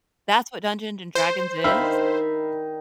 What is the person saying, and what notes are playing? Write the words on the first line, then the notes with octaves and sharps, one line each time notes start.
That's what Dungeons& Dragons is?
C5
D#3 D#4 E5 F5 B5